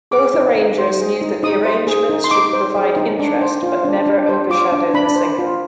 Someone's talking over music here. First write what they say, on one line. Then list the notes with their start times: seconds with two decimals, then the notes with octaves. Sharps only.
Both arrangers knew that the arrangements should provide interest, but never overshadow the singer.
0.11 G#4 D6
0.34 D#4
0.55 D#4
0.78 C5
1.00 G#4
1.21 D#4
1.43 D#4 D#6
1.65 C5
1.87 G#4
2.09 D#4
2.24 C6
2.31 D#4 D6
2.53 C5
2.75 G#4
2.97 D#4
3.19 D4
3.41 C5
3.63 F4
3.85 D4
4.06 D4
4.29 C5
4.50 F4 D6
4.72 D4
4.94 D4 B5
5.16 C5
5.39 F4